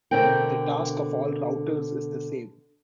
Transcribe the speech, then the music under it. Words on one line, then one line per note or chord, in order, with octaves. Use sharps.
The task of all routers is the same.
B2 D3 C4 A#4 G5